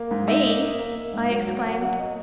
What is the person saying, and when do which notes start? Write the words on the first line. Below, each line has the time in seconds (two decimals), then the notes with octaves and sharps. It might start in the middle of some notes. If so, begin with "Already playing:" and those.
"Me!" I exclaimed.
Already playing: A#3
0.11 G#2
0.28 D#4 E5
0.45 A#3
0.62 A#3
0.79 A#3
0.96 A#3
1.13 G#2
1.30 F#3
1.47 F#3
1.64 A#3 F#5
1.81 F#3 F#5
1.99 D#5